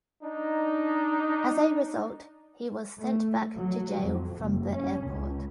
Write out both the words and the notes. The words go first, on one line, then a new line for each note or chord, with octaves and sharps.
As a result, he was sent back to jail from the airport.
D4 D#4
A3
F#3
F2
F#1
C#4
C#2